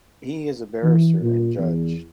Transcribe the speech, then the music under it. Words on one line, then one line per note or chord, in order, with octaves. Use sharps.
He is a barrister and judge.
E3
A#2
E2